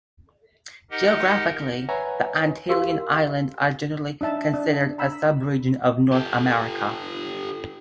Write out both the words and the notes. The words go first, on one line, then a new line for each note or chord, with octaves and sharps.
Geographically, the Antillean islands are generally considered a subregion of North America.
D#4 G4 A#4 D#5 F#5
B4 C#5 E5 F#5 G#5 A#5
F#4 G4 A#4 F5
D4 D#4 E5 A5
D4
A#5 B5 E6
G4 A4